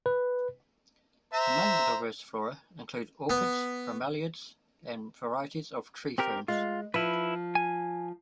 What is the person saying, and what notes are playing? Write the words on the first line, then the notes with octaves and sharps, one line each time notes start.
Among the diverse flora include orchids, bromeliads and varieties of tree ferns.
B4
C5 E5 A#5
B3
C4 G4 A#4
G#3 F4
F3 E4 B4
G#5